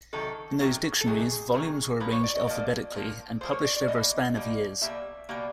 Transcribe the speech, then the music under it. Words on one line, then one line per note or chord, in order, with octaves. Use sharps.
In those dictionaries, volumes were arranged alphabetically and published over a span of years.
C3 D#3 F#3 A4
C3 D#3 F#3
A4
C3 D#3 F#3 G#4
C3 D#3 F#3
A#2 F3 A#3 B4
C#5
D5
D#5
A#2 F3 A#3 D5
A#2 F3 A#3
A#2 F3 A#3 C5
C#5
D5
D5
B2 G3 A#3 D#5
B2 G3 A#3
B2 G3 A#3 E5
B2 G3 A#3